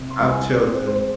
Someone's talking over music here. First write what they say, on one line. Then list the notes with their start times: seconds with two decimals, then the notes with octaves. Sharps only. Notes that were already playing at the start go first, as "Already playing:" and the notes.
I've chosen
Already playing: C3
0.10 C6
0.20 C2 B5
0.30 G#5
0.49 C4 D5
0.68 C5
0.78 G#3
0.87 C5